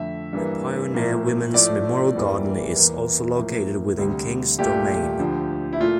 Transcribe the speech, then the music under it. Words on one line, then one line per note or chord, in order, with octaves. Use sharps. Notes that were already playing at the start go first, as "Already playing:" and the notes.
The Pioneer Women's Memorial Garden is also located within Kings Domain.
Already playing: F2 D3 A3 E5
G2 E3 A#3
A2 F3 A#3
A2 F3 A3 D5
E2 E3 G3 A#3
E2 E3 A#3
A2 F3 A#3
D2 C3 G3
C2 A#2 A3 G4
D2 D3 F3
E4
A#2 A3 F4